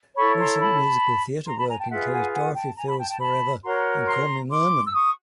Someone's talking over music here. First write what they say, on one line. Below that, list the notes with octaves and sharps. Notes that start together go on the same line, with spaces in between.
Recent musical theatre work includes: "Dorothy Fields Forever" and "Call Me Merman".
E4 A4 C#5 B5 C#6
A#5 C6
A5 B5
A#5 C6
A5 B5
G#5 A#5
G5 A5
F4 G#4 B4 E5 F#5
F#5 G#5
F#5 G#5
G5 A5
G#5 A#5
A5 B5
G5 A5
G5 A5
A5 B5
F#4 A#4 C#5 A#5 C6
A#5 C6
C6 D6
E6
C#6 D#6